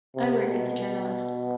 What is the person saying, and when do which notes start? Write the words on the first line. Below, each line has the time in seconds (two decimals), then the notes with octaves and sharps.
I work as a journalist.
0.15 C3
0.48 B2